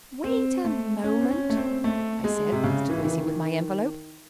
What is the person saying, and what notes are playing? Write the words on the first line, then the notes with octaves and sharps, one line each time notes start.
"Wait a moment," I said, still busy with my envelope.
C4
A3
C#4
C4
C#4
A3
C4
A3
G#3
C3
C#3
E3
D#3
E3
D#3